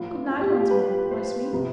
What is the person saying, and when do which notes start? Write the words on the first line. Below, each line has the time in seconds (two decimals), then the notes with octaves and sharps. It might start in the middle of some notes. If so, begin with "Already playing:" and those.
Good-night once more, my sweet.'
Already playing: A2 F3 B3 F4
0.30 F4
0.41 G4
0.50 F4
0.61 G4
0.70 B4
1.11 C5
1.53 C3 F3 B3